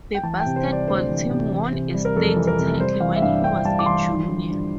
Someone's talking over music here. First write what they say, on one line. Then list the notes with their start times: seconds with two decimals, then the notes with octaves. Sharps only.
The basketball team won a state title when he was a junior.
0.15 G5
0.23 E3 A5
0.40 G5
0.45 C3
0.56 C5
0.66 G3
0.72 D5
0.88 D2 C5
1.10 E3
1.30 C3
1.51 E3
1.73 C3
1.94 G3
2.05 A#4
2.16 F2 A4
2.37 E3
2.47 A#4
2.58 C3
2.80 G3 C5
3.00 E3 F5
3.15 E5
3.22 G2 F5
3.44 G2 G5
3.64 G3 A5
3.79 D6
3.86 E3 C6
4.07 F3
4.28 D3
4.50 G2